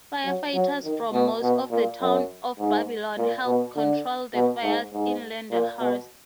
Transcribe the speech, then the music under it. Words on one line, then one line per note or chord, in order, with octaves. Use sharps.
Firefighters from most of the Town of Babylon helped control the fires in Lindenhurst.
F#3
F#3
D#3
B2
B2
A#2
F#2
G#2
A#2
B2
D3
B2
G#2
G#2
A#2
B2